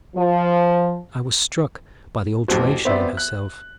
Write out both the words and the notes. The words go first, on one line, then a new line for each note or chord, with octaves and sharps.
I was struck by the alteration in herself.
F3
A1 F2 F#4 G4 C5
B3 C4 C5 D5 E5
F#6